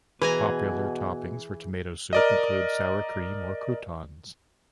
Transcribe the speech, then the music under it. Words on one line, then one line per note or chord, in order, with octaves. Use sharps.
Popular toppings for tomato soup include sour cream or croutons.
B2 E3 G#4 B4 G#5 A#5
A#4 D5 D#5